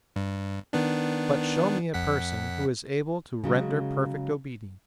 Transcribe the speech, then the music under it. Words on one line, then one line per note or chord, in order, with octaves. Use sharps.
But show me a person who is able to render perfect obedience.
G2
D#3 B3 D4
F2 F#5 B6
C#3 F#3 G#3